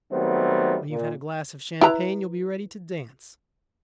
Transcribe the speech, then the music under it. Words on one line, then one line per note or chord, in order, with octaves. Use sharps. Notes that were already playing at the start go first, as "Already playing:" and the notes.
When you've had a glass of champagne, you'll be ready to dance.
D#3 F#3 G3 A3 B3 C4
A#2
E4 B4 A#5